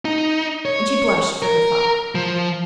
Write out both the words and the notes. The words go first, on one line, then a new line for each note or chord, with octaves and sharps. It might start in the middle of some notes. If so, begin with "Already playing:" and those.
And she blushed for her father.
D#4
C#5
A#4
F3